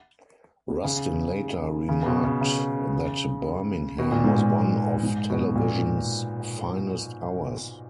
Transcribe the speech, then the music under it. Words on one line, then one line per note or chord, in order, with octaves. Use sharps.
Rustin later remarked that Birmingham was one of television's finest hours.
C#3
C#3
B2
C#3
C#3
B2
A#2
G#2
A#2
G#2
B2
A#2